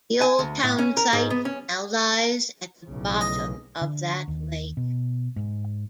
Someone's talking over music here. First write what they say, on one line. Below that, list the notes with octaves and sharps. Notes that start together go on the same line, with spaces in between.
The old townsite now lies at the bottom of that lake.
G#5
D2
A2
C#4
A#4
G#2
B3
C#4
B1 A2 C#3
D#5
D3
D#2
B2
G#2